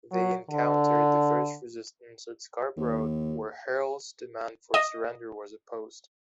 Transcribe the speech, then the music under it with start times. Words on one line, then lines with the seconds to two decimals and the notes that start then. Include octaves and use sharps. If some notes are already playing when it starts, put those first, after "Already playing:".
They encountered the first resistance at Scarborough, where Harald's demand for surrender was opposed.
0.11 F#3
0.50 D3
2.77 D#2
4.74 D#5